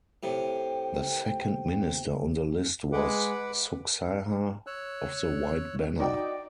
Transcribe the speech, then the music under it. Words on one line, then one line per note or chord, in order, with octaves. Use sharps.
The second minister on the list was Suksaha of the White Banner.
A2 C3 G5
G#3 B4 F#5 D6
C#5 E6 F#6
D#4 F#4 D5 G5